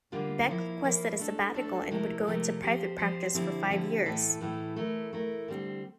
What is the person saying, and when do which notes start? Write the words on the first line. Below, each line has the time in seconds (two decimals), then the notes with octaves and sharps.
Beck requested a sabbatical and would go into private practice for five years.
0.12 D3 G3 A#3 F4
0.48 F3 A#3 E4
0.84 F3 A#3 E4
1.19 A3 D4 A4
1.55 A3 D4 A4
1.91 C3 F3 A3 E4 A#4
2.27 C3 F3 A3 E4 A#4
2.62 F3 C4 G4 C5
2.98 F3 C4 G4 C5
3.34 D3 F3 C4 E4 G4
3.70 D3 F3 C4 E4 G4
4.06 A2 E3 A3 E4 A4
4.41 A2 E3 A3 E4 A4
4.76 A3 E4 A#4
5.13 A3 E4 A#4
5.48 D3 G3 C4